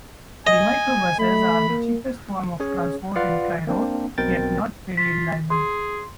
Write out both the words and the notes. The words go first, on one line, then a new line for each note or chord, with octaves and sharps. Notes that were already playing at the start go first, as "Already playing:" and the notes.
The Micro-buses are the cheapest form of transport in Cairo, yet not very reliable.
D#5 G#5
A3 B5
A#3
C#4 G#4 C#5
F4 B4 D5 F5 F#5
A#3 C4 D4
B1 B2 C4 A#4 G5 A6
F4 B6
G#4 C6